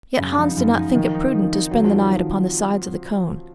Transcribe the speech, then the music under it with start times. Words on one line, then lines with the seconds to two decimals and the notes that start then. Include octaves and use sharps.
Yet Hans did not think it prudent to spend the night upon the sides of the cone.
0.18 F#2 C#3
0.37 F3 G#3 D#4
0.57 F#2
0.75 F3 G#3 D#4
0.95 D#3 F3
1.14 C4 D#4
1.33 F3
1.52 C4 D#4
1.71 D#2 F#3
1.84 F3